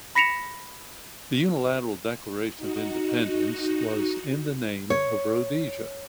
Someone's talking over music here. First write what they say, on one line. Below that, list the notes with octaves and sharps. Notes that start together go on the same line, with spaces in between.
The Unilateral Declaration of Independence was in the name of Rhodesia.
B5 A#6 B6 C#7 E7 F7
D#4 F#4
C#5